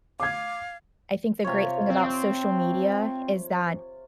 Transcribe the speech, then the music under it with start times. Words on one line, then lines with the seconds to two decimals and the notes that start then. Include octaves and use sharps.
I think the great thing about social media is that
0.20 F5 D6 G#6
1.44 C3 F4 C#5
1.90 C4